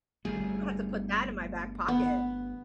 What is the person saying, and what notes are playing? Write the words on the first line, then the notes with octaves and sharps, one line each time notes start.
I'm gonna have to put that in my back pocket.
G1 G3 A3 G#4
B3